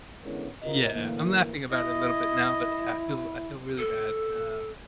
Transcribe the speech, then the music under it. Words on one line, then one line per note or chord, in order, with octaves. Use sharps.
Yeah, I'm laughing about it a little bit now, but y I feel I feel really bad, um,
D3 G#3 B3 C#4 E4 A#4
C3 E4 F4 A#4 D#5
A2 D3 E3 A#3
E4 D#5
A4